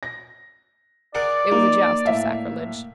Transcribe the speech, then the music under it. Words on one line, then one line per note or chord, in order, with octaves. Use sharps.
It was a joust of sacrilege.
A#6
G#4 A#4 D5 F#5
A#3 D#4
A2 E5 F5